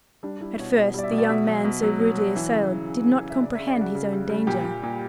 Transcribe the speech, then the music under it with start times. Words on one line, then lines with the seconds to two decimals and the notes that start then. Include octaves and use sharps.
At first the young man, so rudely assailed, did not comprehend his own danger.
0.23 G3 D4
0.41 G3 E4
0.59 B2 C#5
0.76 B2
0.94 G3 D5
1.03 E5
1.11 B2
1.18 D5
1.29 B2 E5
1.48 F#3
1.64 B2
1.82 F#3
2.00 F#3
2.17 F#3
2.36 E3
2.52 C#3
2.71 C#3
2.88 C#3
3.05 C#3
3.23 C#3
3.30 E5
3.41 C#3 D5
3.55 C#3 E5
3.68 D5
3.76 C#3
3.81 F#4
3.95 C#3
4.13 G3
4.29 G3
4.47 A#2 G4
4.65 A#2
4.83 A#2